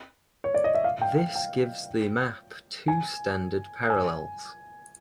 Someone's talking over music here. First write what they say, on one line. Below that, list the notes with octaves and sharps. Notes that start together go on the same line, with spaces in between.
This gives the map two standard parallels.
C#5
D5
D#5
E5
F5
G5
G5
G5
G#5
G#5